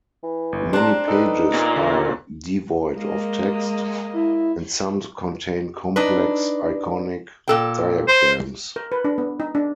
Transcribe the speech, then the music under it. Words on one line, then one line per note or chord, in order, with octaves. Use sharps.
Many pages are devoid of text, and some contain complex iconic diagrams.
E3
G1
C4 D4 A#5 C6
D#4 A4 B4
A#2
D3
G#3 A#3 D#5
E4
D4 D#4 B4
A#2 A4 G5
C5
A#4
B4
D4
B3
D#4
D4